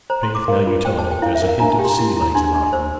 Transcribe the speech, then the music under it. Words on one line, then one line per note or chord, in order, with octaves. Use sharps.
'Faith, now you tell of it, there's a hint of sea legs about him.
C5 A#5
C6
C5
D6
A#4 F5
F4
C5 G5
A5
C5
G5
E4 F5
E5
A#4
F5
D4 A#5
A5
G4 G5
C6
A#5
E4
A5
E4
A#5
D4 C6
D4
C5 E6